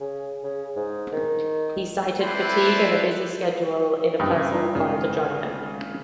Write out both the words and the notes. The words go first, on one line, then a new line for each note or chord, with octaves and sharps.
He cited fatigue and a busy schedule in a personal call to Joyner.
C#3
C#3
G#2
D#3
C4 E4 A4 B4 C5 D5
F#1 G2 G5 D#6
C#3
D4 D#4 F4
G#1 C#3